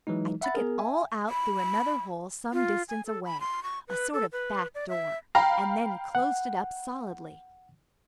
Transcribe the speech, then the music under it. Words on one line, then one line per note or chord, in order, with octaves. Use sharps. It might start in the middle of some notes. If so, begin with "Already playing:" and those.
I took it all out through another hole some distance away, a sort of back door, and then closed it up solidly.
E3 F#3 G#3 D#4
E5 F#5 B5 A6
B3 G#4 A#4
E5 G#5
B5
F4
G#5
A4
B5
C6
C#6
B4
A4
B4
D5
E5
F5 G5 A#5 B5
F#5